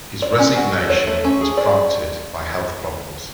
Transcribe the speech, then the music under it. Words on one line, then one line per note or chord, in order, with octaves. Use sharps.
His resignation was prompted by health problems.
D5
C#4
F#4
A4
C#5
A3
C#4
G#4
D5